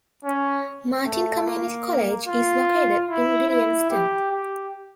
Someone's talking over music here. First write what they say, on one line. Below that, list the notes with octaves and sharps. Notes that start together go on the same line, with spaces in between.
Martin Community College is located in Williamston.
C#4
A3
A#3
F4
E4
E4
G4
G4